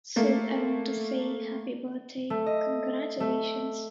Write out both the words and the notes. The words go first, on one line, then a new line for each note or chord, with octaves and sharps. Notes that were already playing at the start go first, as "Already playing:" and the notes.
So I want to say, Happy birthday, congratulations.
A3 A#3
A3
D#5
A3